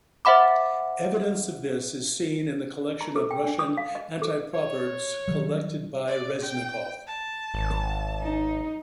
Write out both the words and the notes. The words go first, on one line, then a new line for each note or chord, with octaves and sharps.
Evidence of this is seen in the collection of Russian anti-proverbs collected by Reznikov.
C5 E5 F#5 B5 D6
A#5
A4
G5
D4
D#6
F5
D#5
A4
C#5
D#3 F#3 G3
D5
G5
A5
G#1
D#4